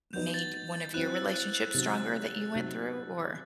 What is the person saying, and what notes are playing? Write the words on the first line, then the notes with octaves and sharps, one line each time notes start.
made one of your relationships stronger that you went through? Or
F#3 B3 D#4 G6
A6
A6
A6
F#3 C4 E4 F#6
E6
F#6
F#6
C3 D#3 F#3 C4 A6
C3 F#3 C4 D#4